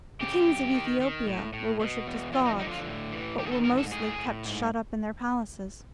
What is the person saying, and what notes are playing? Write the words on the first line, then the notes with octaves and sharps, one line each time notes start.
The kings of Ethiopia were worshipped as gods, but were mostly kept shut up in their palaces.
C#3 G4
F#2
D#3
D#3
A2
A2
B2
E2
F3 F4
D#4
D3 D#4
F4
A2
E3
D#3 G4
G#4
A4
G#2 A#4
A4
A2 G#4
A2
G#2